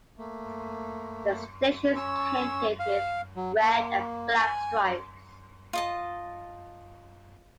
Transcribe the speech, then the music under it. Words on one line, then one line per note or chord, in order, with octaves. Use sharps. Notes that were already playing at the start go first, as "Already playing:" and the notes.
The station is painted with red and black stripes.
A3 A#3
C#4 C#5 E6
F5
F#3
A#3
G#5
F4 D#5 A5